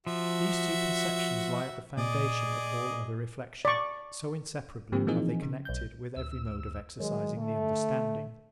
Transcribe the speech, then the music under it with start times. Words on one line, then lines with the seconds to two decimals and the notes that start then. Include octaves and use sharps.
These two conceptions lie at the foundation of all other reflection, so inseparably are they connected with every mode of exercising the understanding.
0.07 F3 F#4 E5
1.97 A#2 G#4 D5 D#5
3.65 D5 C#6
4.92 G#2 D3 F3 A#3 C4 G4
5.07 E3 F3 A#3 C4 D#4 G#4
5.42 C#3
5.65 B1 G6
6.16 D2 E6
7.00 D#3 F#3 G#3
7.38 D3 A3